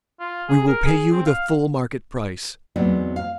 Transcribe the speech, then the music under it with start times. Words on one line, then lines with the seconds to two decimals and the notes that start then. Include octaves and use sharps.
"We will pay you the full market price."
0.20 F4
0.49 G#4
0.68 A#4
0.85 G#4
1.12 C4
1.26 F5
2.76 E2 G#2 F#3 B3 C4 D5
3.16 F5